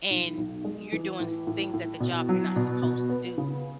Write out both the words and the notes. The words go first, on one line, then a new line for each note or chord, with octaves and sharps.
and you're doing s things at the job you're not supposed to do,
B1
B1
G#3
E3
A2
A2
A2
B2
F#3
B2
B2
B3
C#3